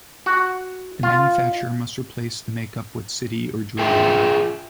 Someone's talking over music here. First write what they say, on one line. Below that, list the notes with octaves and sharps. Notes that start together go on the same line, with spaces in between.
The manufacturer must replace the make-up with city or drill water.
F#4
F4
F4 G#4 E5 G5